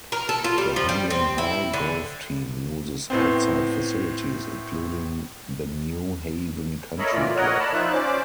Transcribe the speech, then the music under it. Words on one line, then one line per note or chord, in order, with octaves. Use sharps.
The Hamden Hall golf team uses outside facilities, including the New Haven Country Club.
A#4
A4
F4
G3
F3
G3
C4
E4
D3
A2 B3 C4
A4 A#4 C#5 D#5 E5 B5
A#2 E3 A3 F4 D5
A#4 C#5 D#5 F#5
D5 A5 B5
F3 D#4 F4 E5 F#6
C#4 C5 D5 D6